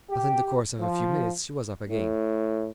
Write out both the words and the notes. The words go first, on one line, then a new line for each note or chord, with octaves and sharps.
But in the course of a few minutes she was up again.
G4
F3
A2